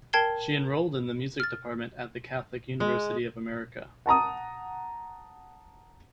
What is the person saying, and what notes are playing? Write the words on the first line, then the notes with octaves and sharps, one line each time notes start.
She enrolled in the music department at the Catholic University of America.
A#4 G5 A5 G#6 C7 G7
F6 A6
G#3
F#5 A5 A#5 D#6